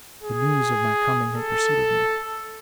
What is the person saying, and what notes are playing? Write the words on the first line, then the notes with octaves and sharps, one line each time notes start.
The news of my coming had preceded me.
G#4
A4